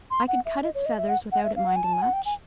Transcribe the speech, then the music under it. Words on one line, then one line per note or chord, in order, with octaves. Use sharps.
I could cut its feathers without it minding much.
C6
F#5
E5
D#5
C#5
D#5
E5
F#5
F#5
E5
F5
F#5
G#5
A5
G#5
F#5
G5
G#5